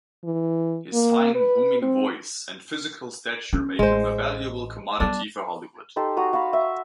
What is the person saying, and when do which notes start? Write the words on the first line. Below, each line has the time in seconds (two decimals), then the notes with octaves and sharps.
His fine, booming voice and physical stature make him a valuable commodity for Hollywood.
0.24 E3
0.94 A#3
1.35 B4
1.82 C4
3.53 C#4
3.79 A1 G#3 C5
5.00 G3 B3 D4
5.96 D#4 G4 A4 C6
6.17 F#4 A#5 D#6
6.33 F#4 F5 A5 B5
6.53 E5